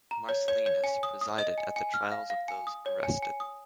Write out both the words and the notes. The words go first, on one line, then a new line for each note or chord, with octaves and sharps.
Marcellinus presided at the trials of those arrested.
A#5
C#5
C#5
C#5
G#5
D#6
D#6
D#5
G#5
G#5
F6
F5
F5
G#5
D#6
C#5
G#5
G#5
D#6